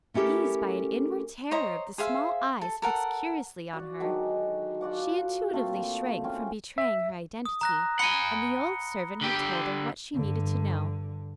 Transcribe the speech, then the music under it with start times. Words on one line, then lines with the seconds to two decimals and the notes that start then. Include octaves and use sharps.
Seized by an inward terror of the small eyes fixed curiously on her, she intuitively shrank from betraying her identity, and the old servant had told her what she needed to know.
0.14 A3 C#4 E4 G4 A4 A#4
1.51 C5 C#5 D#5 A#5
1.98 G#4 C5 E5 F5
2.61 A4
2.82 A4 A#4 F#5
3.73 F#4 D5
4.00 D3 D#3 F#3 G#3
4.81 F4 F#4 D5 F#5
5.53 A#2 A3 C4 F4
5.74 D3
6.24 C4 C#4 G5
6.78 E5
7.45 D#6
7.61 A#5 F#6 A#6
7.99 F#5 G#5 B5 C#7 G7
9.21 D3 G4
10.13 G2 D3